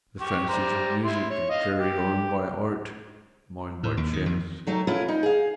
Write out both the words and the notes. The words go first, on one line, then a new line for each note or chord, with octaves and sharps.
The fancies of music are carried on by art; mine by chance.
G4 C#6
G3 C5 A#5
E4 C6
C#5
D#5 F5
G4
A2
D#2
D#3
F2
D#3 F#3 A3
A3 C#4 E4 F4
D#4
G#4 F5